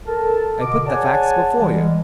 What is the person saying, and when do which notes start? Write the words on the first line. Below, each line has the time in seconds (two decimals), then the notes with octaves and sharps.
I put the facts before you.
0.06 A4 A#4 A5
0.61 B2 D3 D#5 D6
0.86 G#4 C#5 D5 F#5 G#5 A5
1.58 E3 G3 G#3